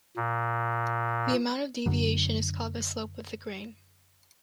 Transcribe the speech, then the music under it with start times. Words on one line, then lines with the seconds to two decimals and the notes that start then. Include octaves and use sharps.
The amount of deviation is called the slope of the grain.
0.17 A#2
1.86 F#2 D3 F#3